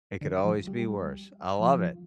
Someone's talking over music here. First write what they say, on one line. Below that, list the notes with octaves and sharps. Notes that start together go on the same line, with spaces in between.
It could always be worse, I love it.
D3
F3
G3
F3